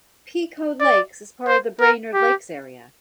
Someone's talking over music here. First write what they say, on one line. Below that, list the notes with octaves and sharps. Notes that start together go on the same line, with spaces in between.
Pequot Lakes is part of the Brainerd Lakes Area.
D5
C5
A#4
G4